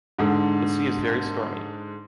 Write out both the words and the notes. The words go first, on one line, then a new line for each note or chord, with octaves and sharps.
The sea is very stormy.
G#2 D3